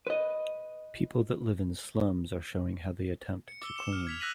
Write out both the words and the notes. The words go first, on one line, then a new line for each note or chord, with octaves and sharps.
People that live in slums are showing how they attempt to clean.
B4 D#5
C#7
D6 E6 G7
C#7 E7
F6
G#6 B6 F7
E6 F#6 A#6 B6 D#7 F#7